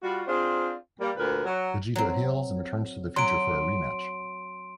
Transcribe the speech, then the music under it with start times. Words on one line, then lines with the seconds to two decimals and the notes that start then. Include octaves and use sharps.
Vegeta heals and returns to the future for a rematch.
0.03 G3 F4 F#4
0.27 C4 D4 F4 G#4 C5
1.01 G3 A#3
1.16 D2 A#2 A#4 B4
1.45 F#3
1.95 F#3 C4
3.16 F#3 C6 D7